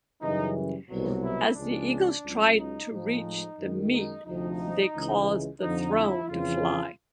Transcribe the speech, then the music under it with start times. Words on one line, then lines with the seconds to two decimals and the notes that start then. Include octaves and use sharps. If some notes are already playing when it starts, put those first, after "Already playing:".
As the eagles tried to reach the meat they caused the throne to fly.
0.21 F#2 C#3 E3 G3 D#4
0.89 C2 B2 F#3
1.23 E4
1.56 C#2 C#3 F3 G#3 D4
2.24 C#2 C#3 F#3
2.58 D#4
2.91 A2 F3 G#3 D#4
3.59 F#2 D#3 G#3
3.93 D#4
4.27 D2 C3 F3 D#4
4.94 C#2 C#3 E3 G#3
5.61 F2 D3 F3 D#4
5.95 E4
6.29 F2 C#3 E3 F4